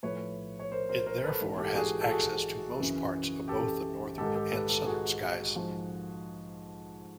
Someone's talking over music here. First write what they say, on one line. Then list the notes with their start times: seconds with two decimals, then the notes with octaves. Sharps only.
It therefore has access to most parts of both the northern and southern skies.
0.03 A2 F3 B4 C#5
0.59 C#5
0.71 A#4 C5
0.89 A#4 C5
1.06 A#4 C5
1.24 A4 B4
1.41 G#2 E3
1.58 G4 A4
1.75 F#4 G#4
2.01 A4
2.10 F#4 G#4
2.79 F#2 C#3 E3
3.48 G4 A4
4.17 G#2 D#3 G4 A4
4.35 G4 A4
4.52 A4 B4
4.69 G4 A4
4.86 F#4 G#4
5.56 G#2 F3